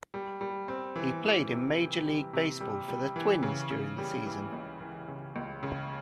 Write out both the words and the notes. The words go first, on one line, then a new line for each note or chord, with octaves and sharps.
He played in Major League Baseball for the Twins during the season.
G3
G3
C4
E3
E3
C3
E3
G3
C3
G3
G3
E3
C#3
C#3
G3
E3
C#2
E3
C#3
C#2
C#3